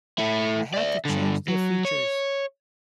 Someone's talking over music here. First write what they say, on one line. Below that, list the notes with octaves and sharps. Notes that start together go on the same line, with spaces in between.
I had to change their features.
A3 E4
D5 E5
G2 D3
F#3
C#5